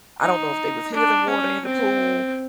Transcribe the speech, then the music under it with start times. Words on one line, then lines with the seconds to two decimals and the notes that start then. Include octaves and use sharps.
I don't know if there was healing water in the pool,
0.21 D#4
0.94 D4
1.29 C#4
1.66 C4